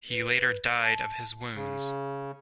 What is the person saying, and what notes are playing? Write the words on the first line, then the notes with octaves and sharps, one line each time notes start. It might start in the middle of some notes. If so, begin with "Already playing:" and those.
He later died of his wounds.
B4
A5
C#3